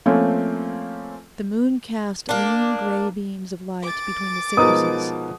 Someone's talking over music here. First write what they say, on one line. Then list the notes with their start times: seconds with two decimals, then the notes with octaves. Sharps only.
The moon cast lean grey beams of light between the cypresses.
0.06 F3 A3 A#3 C4 C#4
2.29 A#3 D4
3.82 D6 A6
4.57 B2 F3 G#3 B3 D#4 A#4 D#6